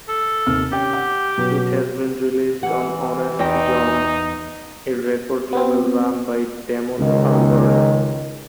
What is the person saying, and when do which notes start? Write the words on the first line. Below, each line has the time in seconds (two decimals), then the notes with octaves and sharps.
It has been released on Honest Jon's, a record label run by Damon Albarn.
0.08 A4
0.47 D#2 C3 F6
0.71 C#4 G4 G5
0.93 F#5 D6
1.38 B2 F#3
2.63 E3 F#5
3.39 E2 D#4 D#5 G5
5.53 B3 C4
7.00 C#2 D#3